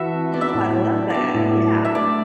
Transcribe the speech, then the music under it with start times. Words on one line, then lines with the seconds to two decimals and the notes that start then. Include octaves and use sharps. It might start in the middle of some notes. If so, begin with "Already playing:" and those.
Oh, I love that, yeah.
Already playing: E3 F#4 A4 B4 E5
0.13 C4
0.33 B3 D5
0.41 E5
0.49 D5
0.54 A2
0.74 F#3
0.94 D4
1.10 B3 D5 E5
1.34 A2
1.55 F#3
1.75 D4
1.85 E5
1.95 A3 D5